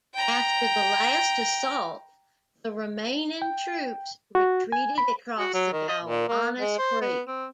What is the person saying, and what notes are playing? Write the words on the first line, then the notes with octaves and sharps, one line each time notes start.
After the last assault the remaining troops retreated across the Gowanus Creek.
G5 A#5
G5
F#4
G#5
B5
F#4
F#3
D#3
D#5
A#2
A#3
G#3
C5
B3
C4